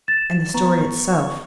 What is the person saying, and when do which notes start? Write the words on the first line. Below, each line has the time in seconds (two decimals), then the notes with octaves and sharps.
And the story itself.
0.08 A6 E7
0.54 B3 A#5 C#6